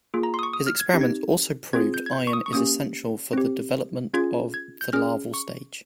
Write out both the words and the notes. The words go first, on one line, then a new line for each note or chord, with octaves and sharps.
His experiments also proved iron is essential for the development of the larval stage.
A#3 F4 G#4
A#5
C6 D#6
C#6
D#6
F6
G#6
C4 D#4 G4 A#6
G#6
C4 F4 G#4 G#6
G6
G#6
G6
C#6
D#6
C#6
A#3 C#4 G4 D#6
C4 G4
C#4 F4 G#4 G#6
G#6
G6
C#4 G#4 F6
C#6